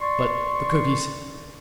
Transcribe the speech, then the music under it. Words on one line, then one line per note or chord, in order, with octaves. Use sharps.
But the cookies!
D5 C6 C#6